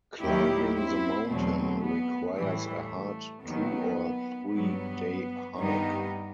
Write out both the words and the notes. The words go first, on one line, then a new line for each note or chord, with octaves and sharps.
Climbing the mountain requires a hard two- or three-day hike.
D#2 D#3 F#3 E4 G4
C4 E4
E2 B2 F#3 A3 C4
B3
A2 E3 G3 A3
D#2 D#3 F#3 B3
G2 F#3 B3
G2 D#3 G3 B3 D#4